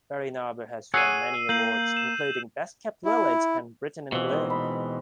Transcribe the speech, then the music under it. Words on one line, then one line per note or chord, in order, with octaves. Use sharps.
Berrynarbor has won many awards including Best Kept Village and Britain in Bloom.
G#4 C#5 F#5 E6 C7 D#7
A#3 G6 F#7
E7
E4
B2 E3 F3 C4 G#4
G#3 C4 D#4
B5